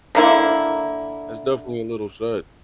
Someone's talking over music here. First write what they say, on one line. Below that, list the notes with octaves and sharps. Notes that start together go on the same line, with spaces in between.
That's definitely a little sad.
D3 A#3 E4